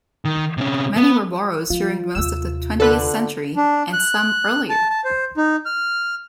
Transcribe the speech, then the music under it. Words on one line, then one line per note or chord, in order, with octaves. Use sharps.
Many were boroughs during most of the twentieth century, and some earlier.
D#3
C3 C#4
B3
F3 F4
D#2 C3 E6
D3 A4 B4 F#6
D4
F#6
A5
A5
C5
D#4
F6